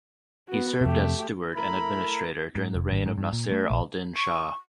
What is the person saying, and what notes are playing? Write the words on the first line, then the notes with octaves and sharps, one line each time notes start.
He served as steward and administrator during the reign of Nasser al Din Shah.
B3 F#4
F2 C3 A3 G4
A3 E4 A#4 A#5 B5
G#2
F1
G#1
G#2
G2
A#2
A3
A#1
C#6